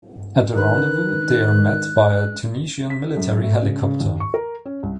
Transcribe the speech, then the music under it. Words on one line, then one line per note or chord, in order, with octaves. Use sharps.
At the rendezvous they are met by a Tunisian military helicopter.
D#3 A#4 B4 F#6
B6
F#2
A3
C#3
C#3
D#2
C#6
A#4
C#4
C2